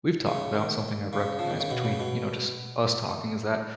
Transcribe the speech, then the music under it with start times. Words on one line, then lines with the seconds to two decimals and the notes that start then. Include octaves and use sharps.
we've talked about, something I've recognized between, you know, just us talking is that,
0.26 C#3
0.55 D#3
1.13 C#3
1.39 F3
1.50 D#3
1.60 C#3
1.71 B2
1.85 C#3
2.00 B2